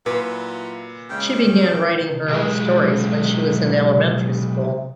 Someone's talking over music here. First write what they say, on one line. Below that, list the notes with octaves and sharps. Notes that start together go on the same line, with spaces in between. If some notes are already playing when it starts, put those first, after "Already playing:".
She began writing her own stories when she was in elementary school.
A#2 F#3 E4 F4 B4
C#3 G#3 G5
B1 G#3